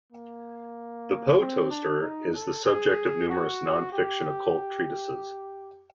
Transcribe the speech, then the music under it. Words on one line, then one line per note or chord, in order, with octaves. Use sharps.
The Poe Toaster is the subject of numerous non-fiction occult treatises.
A#3
C4
D4
D#4
A4
G#4
F#4
G4